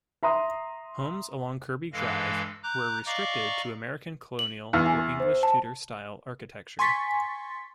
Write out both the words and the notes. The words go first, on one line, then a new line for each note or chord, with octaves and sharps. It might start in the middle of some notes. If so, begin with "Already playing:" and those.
Homes along Kirby Drive were restricted to American Colonial or English Tudor style architecture.
E5 A#5 C6 D#6
G2 E3 G#3 A4 F5 A#6
A#5 D6 F#6 G6
D5 D#5 F5 A#5 C#6 D6
F#7
E2
G#5
C5
A5
G#5 C6 C#6 A6 B6